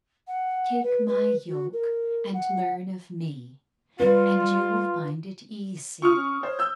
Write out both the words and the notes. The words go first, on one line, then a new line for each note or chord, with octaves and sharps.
Take My yoke and learn of Me, and you will find it easy.
F#5
B4
B4
F#4
A#4
F#5
G3 F4 B4
F4 C#6 D#6 F6
C#4
C5 C#5
E6 G6